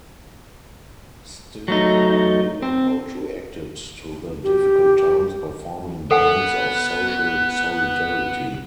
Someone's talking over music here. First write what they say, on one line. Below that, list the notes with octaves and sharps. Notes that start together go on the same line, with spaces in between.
Still, the neighbourhood reacted to the difficult times by forming bands of social solidarity.
F#3 A3 D#4
C4
G4
B3 A4 F#5 G#5 F#6